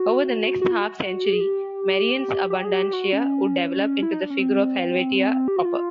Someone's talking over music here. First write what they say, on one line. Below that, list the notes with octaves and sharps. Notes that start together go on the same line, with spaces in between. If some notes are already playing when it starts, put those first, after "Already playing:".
Over the next half-century, Merian's "Abundantia" would develop into the figure of "Helvetia" proper.
Already playing: F#4
F#4
F4
F#4
G4
G#4
G4
G4
G#4
G4
F#4
C#4
E4
D#4
D4
C#4
C4
G4
F#4
F4